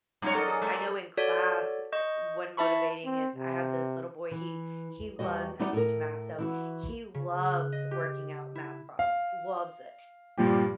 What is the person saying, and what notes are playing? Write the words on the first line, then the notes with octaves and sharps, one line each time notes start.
I know in class, er, one motivating is I have this little boy. He he loves I teach math, so he loves working out math problems. Loves it.
G2 F#3 C#4 F#4 C#5
A4 A#4 D5 D#5
G#4
G#3 A4
F#4 A4 C#5 D5
D#5 C#6 G6
E4 E5 A5 B5 C#6
C4
C3
E3
E2 G3 F#4 D#5
G3 D#4 E4 F#4 D5
A2 A#4
E3 E4 F#4
C#3
F#6
D#5
G4
E4
F5
G2 A#2 F3 G4